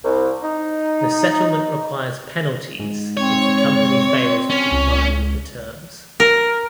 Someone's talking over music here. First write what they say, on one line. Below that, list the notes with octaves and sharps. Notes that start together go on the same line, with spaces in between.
The settlement requires penalties if the company fails to comply with the terms.
C2
D#4
G#2
C4 C#5
C#4
C#2
A#4